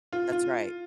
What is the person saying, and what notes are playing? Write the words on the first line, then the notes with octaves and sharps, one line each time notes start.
That's right.
F4
F4